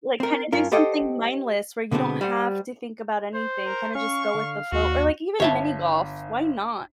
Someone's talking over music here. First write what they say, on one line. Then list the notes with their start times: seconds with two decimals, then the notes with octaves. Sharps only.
Like, kinda do something mindless where you don't have to think about anything, kinda just go with the flow or, like, even mini golf, why not?
0.20 C4 A#4
0.52 G2 C#4 F4 A#4
0.72 G4 A4 C5 D#5 F#5 G5
1.91 B2 D3 G#3 B3 C4
2.21 G3 C5 F#5
3.34 C5
3.66 A#4
3.95 C#4 F5 C#6
4.35 D3
4.72 D#2 F#4
5.40 G1 C#5 E5 A5